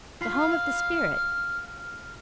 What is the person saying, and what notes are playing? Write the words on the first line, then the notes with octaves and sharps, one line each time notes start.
The Home of the Spirit!
F4 B5 F6 C7